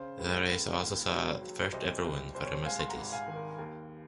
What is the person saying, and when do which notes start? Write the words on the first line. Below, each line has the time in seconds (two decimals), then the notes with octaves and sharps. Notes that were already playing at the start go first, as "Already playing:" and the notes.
The race also saw the first ever win for a Mercedes.
Already playing: C#3 C5
0.19 C#2
0.49 C#2
0.80 D#2
1.12 F#3
1.42 F#3
1.73 C2 C5 D#5
2.04 C2
2.35 C2 C5
2.45 C#5
2.53 C5
2.66 G#3 F5 G#5
2.79 C6
2.88 F#5 A#5
2.97 G#1
3.12 F5 G#5
3.28 D#3
3.36 A#4
3.58 D#2 A#4